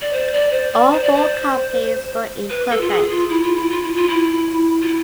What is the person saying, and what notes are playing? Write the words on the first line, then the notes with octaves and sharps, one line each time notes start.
All four copies were imperfect.
D5
C5
D5
C5
D5
C5
D5
C5
B4
A4
F4
G#4
F4
E4
F4
E4
F4
E4
F4
E4
F4
E4